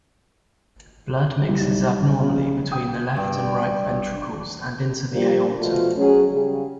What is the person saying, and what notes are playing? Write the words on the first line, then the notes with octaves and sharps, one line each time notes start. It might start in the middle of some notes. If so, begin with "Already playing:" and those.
Blood mixes abnormally between the left and right ventricles and into the aorta.
C2 G3
B1
C#3
G5 D#6
G2 G5
F3 G3 A#3 D4 F4 G4
B2 F3 A3 F4 F#4
F#3 C#4 G#4
C#3 G3